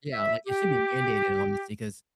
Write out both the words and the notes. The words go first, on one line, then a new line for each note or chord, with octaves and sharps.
Yeah, like, it should be mandated honestly, 'cause
E5
G4